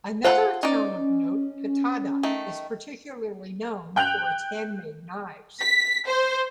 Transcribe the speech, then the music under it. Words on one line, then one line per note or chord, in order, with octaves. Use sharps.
Another town of note, Pattada, is particularly known for its handmade knives.
F4 A4 C5 F#5
C#4 D#4 D5
D#3 A3
G5 F#6 G6 F7
B6
C5